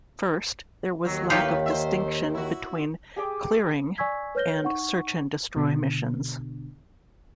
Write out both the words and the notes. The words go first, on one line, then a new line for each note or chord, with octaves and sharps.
First, there was lack of distinction between "clearing" and search and destroy missions.
D#2 D#3 F#3
A2 D#4 F4 G4 B4 C#5
C5 E5
E4 F#4
G4 G#4 G5 D6
D5 G#5 C#6 E6 G#6 B6
B4 C#5 F6 G6 A#6 G7
D#4 F#5 C#6
B2 D3